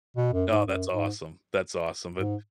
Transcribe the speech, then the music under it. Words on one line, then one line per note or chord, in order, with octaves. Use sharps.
Oh, that's awesome, that's awesome, but
B2
F#2
G#2
F#2
G#2
G#2